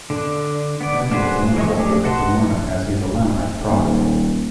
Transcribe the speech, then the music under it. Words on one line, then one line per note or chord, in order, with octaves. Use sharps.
Samuel is notable in the Book of Mormon as he is a Lamanite prophet.
D3 D4
B3 D5
D4 F#4 G#4 B4 C5
E3 G#3 D#5 C#6
A3 D4 G4
B4 D#5 F#5 A5 C6
D#1